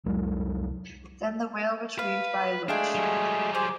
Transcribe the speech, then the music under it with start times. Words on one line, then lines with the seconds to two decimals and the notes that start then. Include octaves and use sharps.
Then the whale was retrieved by a winch.
0.05 C2 F#3 G#3
1.99 B4 F5
2.68 G#3 A3 D4 G#4 F5 G5 G#5
2.95 F#3 G3
3.55 G#4 C5 D6